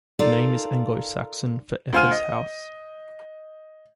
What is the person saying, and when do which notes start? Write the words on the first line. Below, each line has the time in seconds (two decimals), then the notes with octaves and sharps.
The name is Anglo-Saxon for "Effa's house".
0.19 D#4 F4 A4 A#4 D5 F5
1.93 D2 F4 C5 G#5 F6 D#7
2.11 D#5